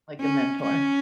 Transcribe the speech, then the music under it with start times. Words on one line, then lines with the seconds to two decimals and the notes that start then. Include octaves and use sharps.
Like a mentor.
0.20 C#4
0.62 C#4